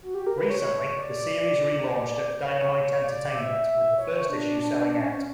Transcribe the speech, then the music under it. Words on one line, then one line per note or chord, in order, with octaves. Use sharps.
Recently, the series relaunched at Dynamite Entertainment with the first issue selling out.
F#4
G4
A#4
B4
C#5
D5
C#5
C#5
D5
E5
E5
C#5
D4
D4
D4
C#4
C#4